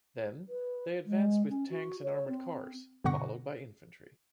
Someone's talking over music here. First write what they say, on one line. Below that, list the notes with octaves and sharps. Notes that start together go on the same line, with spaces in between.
Then, they advanced with tanks and armored cars, followed by infantry.
B4
G#3
C#4
F#4
C#5
C4
G2 B2 D3 F#5 C#6 A#6